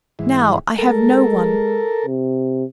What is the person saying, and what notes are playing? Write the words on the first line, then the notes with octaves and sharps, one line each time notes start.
Now I have no one.
G#2 E3
G#3 A4 A#4
C3